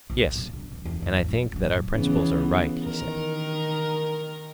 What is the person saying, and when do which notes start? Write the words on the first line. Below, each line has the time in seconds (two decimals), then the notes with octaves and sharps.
Yes; and I think that our principles are right, he said.
0.10 A#1
0.22 A2
0.36 B1
0.53 D3
0.71 E3
0.85 E2
1.02 E2
1.17 G#1
1.29 F3
1.42 E1
1.56 F#3
1.67 A2
1.94 C#3 E3 B3
2.85 D#3 A#4